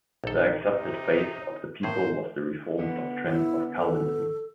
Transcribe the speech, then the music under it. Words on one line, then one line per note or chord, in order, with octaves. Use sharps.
The accepted faith of the people was the Reformed doctrine of Calvinism.
A#1 D#3 A4
C3 D#4
A2 A#3 G#4 C5
D3 B3
E4
A4